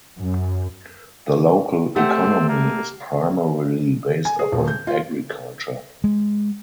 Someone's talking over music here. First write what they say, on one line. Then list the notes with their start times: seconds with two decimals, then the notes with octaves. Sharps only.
The local economy is primarily based upon agriculture.
0.19 F#2
1.96 A3 C4 G4 F#5
2.49 A#3
4.25 G#5
4.39 G#4
4.52 D#1
4.68 G6
4.87 F4
6.04 G#3